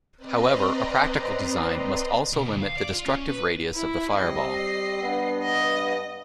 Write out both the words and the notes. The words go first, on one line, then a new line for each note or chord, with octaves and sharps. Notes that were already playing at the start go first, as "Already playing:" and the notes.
However, a practical design must also limit the destructive radius of the fireball.
C4 B4 D5 D#5 A#5 C6
B2
D2
F5
D5
F4
C#4
B4
E4
G3 C4 D#5 C7
G2 B3
D#5